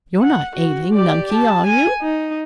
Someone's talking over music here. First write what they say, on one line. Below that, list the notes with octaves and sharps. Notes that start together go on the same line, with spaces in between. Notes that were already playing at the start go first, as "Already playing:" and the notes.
You're not ailing, Nunkie, are you?
F#5
F#4
G4 D5
A5
G#5
D#4